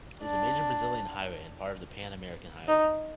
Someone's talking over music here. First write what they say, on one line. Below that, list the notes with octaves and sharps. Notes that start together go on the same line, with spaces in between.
It is a major Brazilian highway and part of the Pan-American Highway.
D4
D#4